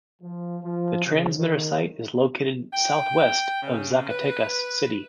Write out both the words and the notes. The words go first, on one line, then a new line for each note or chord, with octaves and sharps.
The transmitter site is located southwest of Zacatecas City.
F3
F3
C#3
D#3
G5
C#3
B4